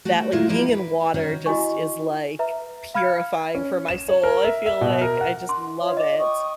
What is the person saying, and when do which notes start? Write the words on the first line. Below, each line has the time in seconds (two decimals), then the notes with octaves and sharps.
that like, being in water just is, like, purifying for my soul. I feel, like, I just love it.
0.05 A3 F#4 G4
0.32 A#2 F#3 G#3 A3 E4 F4
0.49 F3 G3 A#3 D#4 E4
0.69 B4
1.14 D#3 C#4 D#4 F#4
1.46 E4 F#4 D#5 G#5 C#6
2.39 B4 E5 A#5
2.94 F5 B5 F6 G#6 C#7
3.55 C#4
3.88 E7
4.08 C#5
4.24 A#4
4.44 E5
4.66 E5
4.81 B2
5.02 A#4
5.21 F#5
5.49 C6
5.81 F4 C#5 E5
5.97 D#5 D6
6.18 G5 C#6 D#6